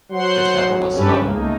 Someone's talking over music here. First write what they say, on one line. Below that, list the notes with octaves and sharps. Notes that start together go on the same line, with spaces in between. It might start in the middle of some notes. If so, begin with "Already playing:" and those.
Its capital was Savona.
F#3 C5 F#5 C6
G2 C#4 G4 A4 B4
C#2 A3 A#3 D#4